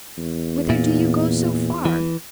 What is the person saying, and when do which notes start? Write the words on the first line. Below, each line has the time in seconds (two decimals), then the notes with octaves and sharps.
Whither do you go so far?
0.18 E2
0.70 A#2
1.85 E3